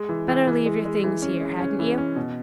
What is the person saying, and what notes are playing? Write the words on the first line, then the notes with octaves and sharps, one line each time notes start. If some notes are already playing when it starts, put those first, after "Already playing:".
Better leave your things here, hadn't you?
Already playing: G#3
E3
E3
E3
G#3
G#3
E3
C#4
G#3
C#4
E3
C#4
B2